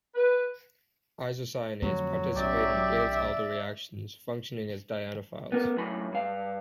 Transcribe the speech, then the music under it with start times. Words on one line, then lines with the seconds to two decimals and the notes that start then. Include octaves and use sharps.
Isocyanates participate in Diels-Alder reactions, functioning as dienophiles.
0.15 B4
1.82 F2 D3 F#3 A3
2.36 B1 F#2 G4 D5 E5
5.52 B3 A#4
5.76 F#2 A2 B5
6.12 G2 F5